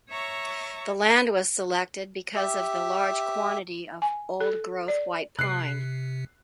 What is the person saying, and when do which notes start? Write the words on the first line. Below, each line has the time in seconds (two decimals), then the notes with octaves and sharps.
The land was selected because of the large quantity of old growth white pine.
0.10 C#5 E5 A#5 C#6
2.35 G4 E5
4.02 G#5
4.41 A4
4.88 D5
5.39 C3 F#6 C7